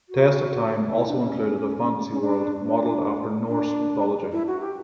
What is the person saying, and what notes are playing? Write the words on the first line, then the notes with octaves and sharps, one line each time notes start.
Test of Time also included a fantasy world modelled after Norse mythology.
F#4
E4
D4
C#4
C#4
D4
D4
D4
E4
F#4
G4